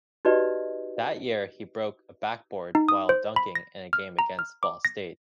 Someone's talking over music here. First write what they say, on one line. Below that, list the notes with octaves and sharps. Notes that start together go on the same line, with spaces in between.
That year he broke a backboard while dunking in a game against Ball State.
D#4 F#4 G4 B4 D5 D#5
D#4
D#6
C5
B5
A#6
F6
A#5
F6
D6
A#6